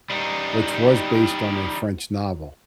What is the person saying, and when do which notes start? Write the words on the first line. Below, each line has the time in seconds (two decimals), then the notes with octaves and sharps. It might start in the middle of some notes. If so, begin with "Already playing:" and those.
which was based on a French novel,
0.10 G3 D#4